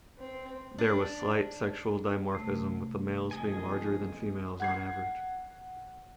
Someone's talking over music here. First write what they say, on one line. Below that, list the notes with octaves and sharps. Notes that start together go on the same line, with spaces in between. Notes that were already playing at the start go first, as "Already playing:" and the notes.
There was slight sexual dimorphism with the males being larger than females on average.
C4
D4
C3 A3
F2 G#4 D#5 G#5
F#5 G#6 C7